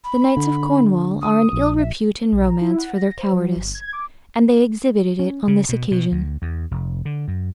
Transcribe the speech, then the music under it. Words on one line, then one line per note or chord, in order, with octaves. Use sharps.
The knights of Cornwall are in ill repute in romance for their cowardice, and they exhibited it on this occasion.
B5
D3
D#6
A#1
E5
A#1
A#5
E4
F#5
A#6
C5
F#3
G1
G#6
D6
C#4
C#3
B2
B2
D2
E2
F1
D3
F#2